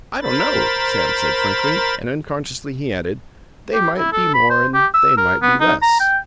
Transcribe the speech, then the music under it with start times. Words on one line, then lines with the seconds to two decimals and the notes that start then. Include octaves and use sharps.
"I don't know," Sam said frankly, and, unconsciously, he added, "They might be more and they might be less."
0.22 A#4 C5 B5 A6
3.74 G4
3.98 E4
4.12 A4
4.34 B5
4.50 C5
4.74 G4
4.94 E6
5.17 A#4
5.42 B3
5.60 D#4
5.82 A#5
6.00 G5